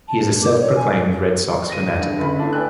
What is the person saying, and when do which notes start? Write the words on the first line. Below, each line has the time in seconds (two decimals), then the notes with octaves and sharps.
He is a self-proclaimed Red Sox fanatic.
0.08 A5
0.22 A#4
0.42 D6
0.59 C#5
0.76 G#5
1.70 A#6 D#7
1.99 G2 F5
2.18 G1 C#3 B5
2.38 A3 B3 D4 E4
2.53 B4 D5 G5 G#5 E6 F#6